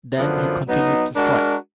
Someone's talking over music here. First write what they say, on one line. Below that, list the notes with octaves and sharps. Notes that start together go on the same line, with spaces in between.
Then he continued to strike.
F#2 D3 F3 B3 D4
F#3 B3 D#4
G#3 D4 F#4 A#4